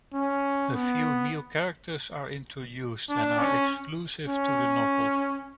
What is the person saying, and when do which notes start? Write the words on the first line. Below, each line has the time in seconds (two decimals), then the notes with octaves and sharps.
A few new characters are introduced and are exclusive to the novel.
0.14 C#4
0.73 B3
3.10 D4
3.39 C#4
4.27 C#4